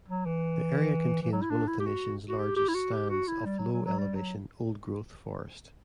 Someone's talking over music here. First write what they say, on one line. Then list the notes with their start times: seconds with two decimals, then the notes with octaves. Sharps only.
The area contains one of the nation's largest stands of low-elevation old-growth forest.
0.08 F#3
0.26 E3
1.22 E3
1.32 F#3
1.42 E4
1.50 D4
1.67 E4
1.80 G4
1.86 F#4
2.29 F#4
2.39 G4
2.56 G4
2.68 E4
2.75 F#4
2.93 G4
3.10 F#4
3.28 E4
3.45 G3
3.59 F#3
3.72 F#3
3.86 F#3
3.99 G3
4.16 F#3